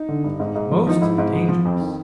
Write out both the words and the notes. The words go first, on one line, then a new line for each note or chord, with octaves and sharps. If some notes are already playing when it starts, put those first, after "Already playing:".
Most dangerous!
Already playing: D#4
D3
G2
G#2
G#2
F3
F3 D#4
G#2 E4
G#2
F3
F3
F2
D#3